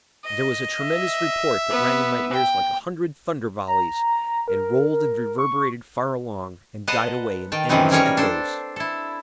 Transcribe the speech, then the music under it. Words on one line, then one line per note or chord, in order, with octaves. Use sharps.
There was a tremendous report, that rang in my ears like a hundred thunder-volleys, and rolled and reverberated far along, and died away in endless echoes.
D#5
E5
B3
G5
A#5
A#4
C#6
B4 D#5 F#5 A5 A#5 C6
D#3 G5 A5
F#2 D#3 E3 C4 D#4 B4
G3 C#4 G#4 A#4 C#5
D4 A4 C5
E4 A4